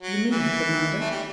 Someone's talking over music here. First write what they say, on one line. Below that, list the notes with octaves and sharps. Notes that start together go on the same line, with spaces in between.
"You mean the--murder?"
F#3
E3
A3
G3